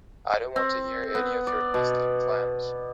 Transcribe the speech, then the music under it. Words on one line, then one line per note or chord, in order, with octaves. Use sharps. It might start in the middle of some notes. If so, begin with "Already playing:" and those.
I don't want to hear any of your beastly plans.
C4
B3
D5
B2